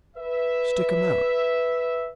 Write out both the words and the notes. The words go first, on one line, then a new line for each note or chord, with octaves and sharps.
Stick 'em out.
B4 E5